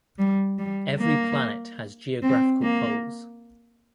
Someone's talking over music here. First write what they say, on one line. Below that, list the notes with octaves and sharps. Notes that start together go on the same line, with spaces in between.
Every planet has geographical poles.
G3
G3
A#3
C4
A#3